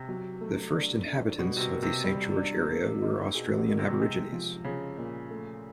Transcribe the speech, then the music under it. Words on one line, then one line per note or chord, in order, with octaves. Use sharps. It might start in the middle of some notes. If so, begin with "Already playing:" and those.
The first inhabitants of the Saint George area were Australian Aborigines.
Already playing: C3
F#3
A3
D4
D4
B2 G3
C3
B2
A#3
C3
G3
D4
A#3
D#4
B2 G#4
B2
A#3
C3
B2
C3 G#3
F3
C#3 F3
A#2
A3